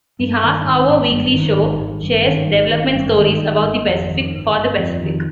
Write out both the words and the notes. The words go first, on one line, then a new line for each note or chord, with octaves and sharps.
The half-hour weekly show shares development stories about the Pacific for the Pacific.
G2
D#3
G#1
G#1
G2
D#3
G#1
G#1
G2
D#3
G#1
G#1
G2
D#3
G#1
G#1
F2
D#3
G1
G1
F2
D#3